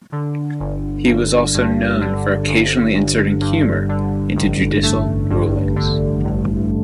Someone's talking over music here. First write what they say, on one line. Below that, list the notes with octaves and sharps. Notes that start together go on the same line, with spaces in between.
He was also known for occasionally inserting humor into judicial rulings.
D3
G1
G1
G2
D3
G1
G1
G2
D3
A1
A3
G2
D3
A1